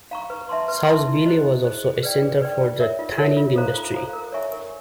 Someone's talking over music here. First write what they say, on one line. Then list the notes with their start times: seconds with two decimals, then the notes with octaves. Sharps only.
Southville was also a centre for the tanning industry.
0.11 F5 A#5 C#6
0.30 B4
0.49 E5 A5 C6
0.68 B4
0.88 E5 A5 C6
1.08 E4
1.26 G#4 C5 D#5
1.45 E4
1.64 G#4 C5 D#5
1.84 G#4
2.03 B4 D5 G5
2.23 G#4
2.42 B4 D5 G5
2.61 F4
2.80 A#4 C#5 E5
2.99 F4
3.17 A#4 C#5 E5
3.37 F4
3.56 A4 C5 F5 A#5
3.75 F4
3.94 A4 C5 F5 A#5
4.13 A#4
4.32 C#5 E5 G#5 C#6
4.52 A#4